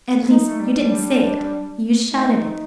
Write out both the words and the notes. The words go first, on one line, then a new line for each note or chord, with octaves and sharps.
"At least--you didn't say it--you shouted it!"
D#4
A3
G3
D4
A3 D#4